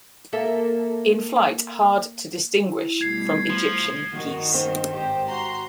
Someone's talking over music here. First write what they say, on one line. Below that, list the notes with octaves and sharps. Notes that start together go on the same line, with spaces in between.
In flight hard to distinguish from Egyptian geese.
A#3 A4 E5
E4
B2 G3 A3 G#6 C7
F3
G2 D#3 F#4
C4
G#1 G4 C5
F#4 A#5 C6